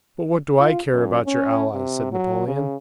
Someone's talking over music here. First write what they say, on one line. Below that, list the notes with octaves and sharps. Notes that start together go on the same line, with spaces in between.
"But what do I care about your allies?" said Napoleon.
F4
F#2
C#4
C3
F#3
C#3